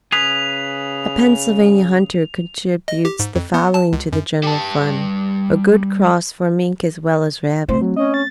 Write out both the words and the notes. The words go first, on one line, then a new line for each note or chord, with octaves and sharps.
A Pennsylvania hunter contributes the following to the general fund: a good cross for mink as well as rabbit.
C#3 G#4 B4 F7
D#5
G4
G#2
F2
B3
A5
C#2
F#2
G3 A5
A3 C4 C5
F#3
C#4 D#5
A6